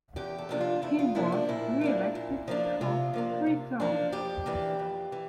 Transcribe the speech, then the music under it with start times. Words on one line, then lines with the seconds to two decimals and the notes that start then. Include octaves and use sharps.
He was re-elected for three terms.
0.16 E2 G4
0.38 A4
0.49 C3 F3 A#3 D4
0.61 F4
0.82 E2 E4
0.99 F4
1.15 C3 F3 A#3 D4 E4
1.32 D4
1.49 A#2 E4
1.81 F3 A#3 D4
2.15 A#2
2.48 F3 A#3 D4
2.81 C3 F4
3.13 F3 A#3 D4
3.46 C3
3.80 F3 A#3 D4
4.12 F2 G4
4.46 E3 A#3 D4
4.79 F2
5.12 E3